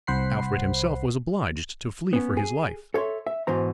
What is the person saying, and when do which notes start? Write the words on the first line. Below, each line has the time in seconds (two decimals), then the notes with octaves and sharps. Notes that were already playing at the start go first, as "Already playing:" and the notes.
Alfred himself was obliged to flee for his life.
0.07 C2 C5 F#5 B5 C7
2.13 B3 C#4
2.37 G#4
2.94 A4 C#5 E5 C6
3.27 E5
3.47 G#2 B2 E3 C5 A#5